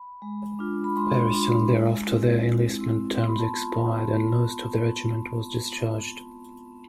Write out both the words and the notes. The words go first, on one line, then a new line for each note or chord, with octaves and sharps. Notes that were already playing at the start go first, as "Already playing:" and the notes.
Very soon thereafter, their enlistment terms expired, and most of the regiment was discharged.
Already playing: B5
G#3
D4 F4
B5
G#3 C6
C6
D4 F4
G#3
C4 E4
G#3
C4 E4
B3 C6
B5
A5
F4 B5
B3
F4